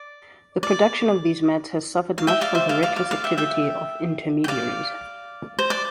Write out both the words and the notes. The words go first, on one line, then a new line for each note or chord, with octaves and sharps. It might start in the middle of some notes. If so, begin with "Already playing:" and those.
The production of these mats has suffered much from the reckless activity of intermediaries.
Already playing: D5
D5
F5
E5 G5
D5 F5
C5 E5
D5 F5
D5 F5
D5 F5
D5 F5
E5 G5
E5 G5
G5
D5 F5
C5
D5